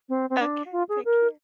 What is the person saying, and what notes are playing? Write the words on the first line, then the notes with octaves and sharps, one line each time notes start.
Okay, take care.
C4
C4
D4
F4
G#4
A#4